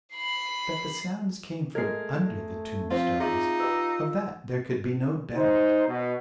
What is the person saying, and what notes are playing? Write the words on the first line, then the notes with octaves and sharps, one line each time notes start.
That the sounds came from under the tombstones of that there could be no doubt.
B5 C7
G#3 A3 A#4 G#6 C7
F3 C4 F4 C5 F5
D#4 F4 G#4 E5 D6
G4 B4 E6
D#4 C5
B2